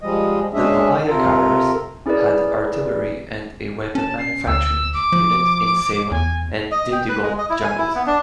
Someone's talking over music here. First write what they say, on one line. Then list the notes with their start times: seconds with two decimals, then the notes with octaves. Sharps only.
The Palayakarrars had artillery and a weapon manufacturing unit in Salem and Dindigul jungles.
0.01 F3 G3 G#3 D#5
0.54 G#3 C#4 D4 G#4 E5
1.08 C3 F4 A4 A#4
2.06 C#4 E4 G#4 A#4 B4 D5
3.95 C#4 A5
4.18 C7
4.47 D2 E6
4.94 D6
5.12 F3
6.11 E2 G#5
6.71 D#5
6.92 G5
7.09 B4
7.22 G#3
7.38 D#5
7.50 E4
7.64 G#5
7.78 E4
7.95 B3
8.07 D4